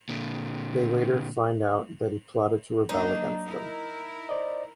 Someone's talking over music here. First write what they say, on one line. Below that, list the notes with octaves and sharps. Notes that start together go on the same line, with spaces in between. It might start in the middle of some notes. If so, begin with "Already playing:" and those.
They later find out that he plotted to rebel against them.
A#2 D3
F#3 A#3 D4 D#4
E4 A#4
C5 D5 D#5